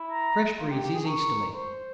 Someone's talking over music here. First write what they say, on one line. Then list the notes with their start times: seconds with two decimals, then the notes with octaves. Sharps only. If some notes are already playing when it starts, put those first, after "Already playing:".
Fresh breezes easterly.
Already playing: E4
0.12 A#5
0.59 F4
0.70 G4
0.83 G4
0.95 G#4
1.06 A#4 C#6
1.54 C5